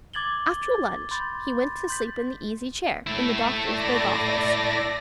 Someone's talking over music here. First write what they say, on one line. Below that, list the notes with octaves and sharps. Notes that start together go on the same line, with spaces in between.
After lunch he went to sleep in the easy-chair in the doctor's big office.
D6 G#6 A6 F#7 G7
B5 C6 G6 A6
C6 G6 B6
A3 E4
D5 A#6